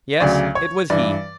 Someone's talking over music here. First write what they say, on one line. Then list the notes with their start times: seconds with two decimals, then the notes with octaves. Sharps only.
Yes! it was he.
0.20 D2 C#3 F#3 D5
0.55 C#5
0.90 G2 E3 D5